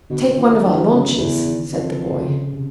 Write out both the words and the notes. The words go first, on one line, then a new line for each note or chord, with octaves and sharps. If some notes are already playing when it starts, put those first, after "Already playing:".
"Take one of our launches," said the boy.
B2 D3
D3
A#2 D#3
E3
G2 D#3
D3
F#2 C#3
E2 C#3
D#3
F2
C#3
C3